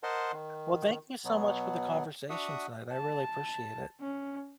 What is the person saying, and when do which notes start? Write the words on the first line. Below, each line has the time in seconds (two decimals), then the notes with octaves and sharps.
Well, thank you so much for the conversation tonight, I really appreciate it.
0.03 A#4 C5 D#5 F#5 A5 C6
0.33 D#3
1.25 B2 F#3 B3
2.30 D4 F#4 E5 F#5 D#6
2.92 A5
4.00 C#4